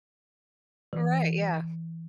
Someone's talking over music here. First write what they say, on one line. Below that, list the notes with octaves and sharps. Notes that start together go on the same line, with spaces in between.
Alright, yeah.
E3